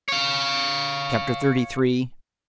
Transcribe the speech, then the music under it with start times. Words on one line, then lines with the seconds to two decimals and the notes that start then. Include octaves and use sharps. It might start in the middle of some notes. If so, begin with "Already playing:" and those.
Chapter XXXIII.
0.09 C#5 F5